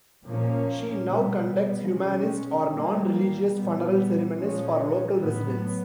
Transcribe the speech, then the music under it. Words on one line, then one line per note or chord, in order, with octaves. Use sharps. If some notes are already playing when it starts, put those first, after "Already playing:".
She now conducts humanist or non-religious funeral ceremonies for local residents.
A#2 F3 A#3 C#4
B2 G3 B3
B2 G#3 C#4
B2 G3 A#3
A#2 G3 B3
A#2 F3 G#3 C#4
A2 F#3 B3